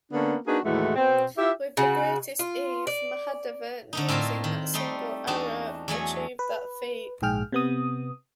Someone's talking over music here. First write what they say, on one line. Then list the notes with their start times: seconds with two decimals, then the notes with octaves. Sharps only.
With the greatest ease, Mahadeva, using that single arrow, achieved that feat.
0.12 D3 A#3 B3 C#4 D4
0.47 A#3 D4 D#4 F#4 G#4 B4
0.65 D#2 A2 E3 G#3 A3 F#4
0.96 B2 C4
1.38 E4 F4 G4 E5
1.77 C#3 F#4
2.39 F4
2.87 D5
3.93 D3 A3 D#4
4.09 A2 C4 F4 A#4 A5
4.44 D#3
4.74 G3 A3 D#4 C6
5.27 E2 D4 D#4 F#4 A5
5.88 E2 F#3 A3 G#5
6.39 B4
7.22 A#1 G#2 G#4 G5 F6
7.52 C3 B3 D#6